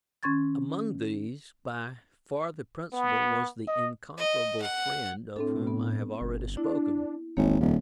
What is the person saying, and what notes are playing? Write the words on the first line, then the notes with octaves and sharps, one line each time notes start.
Among these, by far the principal was the incomparable friend of whom I have already spoken.
D#3 C#4 C6 C#6 G#6 A6
B3
D#5
D#5
F#5
A2 C4 D4 A4
B3
G1
D4 E4
D1 G#1 D#3 A#3 C#5
D#1 F2